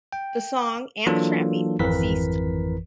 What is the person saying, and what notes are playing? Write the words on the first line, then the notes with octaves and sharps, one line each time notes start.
The song and the tramping had ceased.
G5
E3 F#3 A#3 D4 F4 A4
G#1 F2 E3 A#4 B4 B6